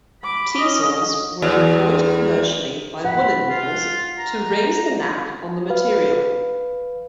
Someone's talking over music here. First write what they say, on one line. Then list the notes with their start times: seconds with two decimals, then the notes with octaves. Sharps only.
Teasels were employed commercially by woolen mills to raise the nap on the material.
0.22 B5 D6
0.58 C#4 D#5
1.42 E2
3.05 F#5 B5
3.49 F4
4.18 A#5
5.70 B4 F5